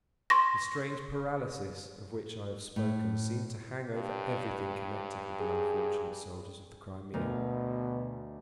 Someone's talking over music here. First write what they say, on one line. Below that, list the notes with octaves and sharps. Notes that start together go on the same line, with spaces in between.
The strange paralysis of which I have spoken seemed to hang over everything connected with the unfortunate soldiers of the Crimea.
C6 C#6 A#6
A2
G2
G#4
D2 B2 A#4